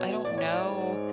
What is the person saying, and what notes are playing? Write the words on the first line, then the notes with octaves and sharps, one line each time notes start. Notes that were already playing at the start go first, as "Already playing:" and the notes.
I don't know
Already playing: B2 C#5
A2 D5
C#5
D5
G#2